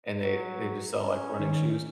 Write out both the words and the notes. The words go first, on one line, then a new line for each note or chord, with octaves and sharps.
and they they just sell, like, running shoes,
F#3
C#4
D#3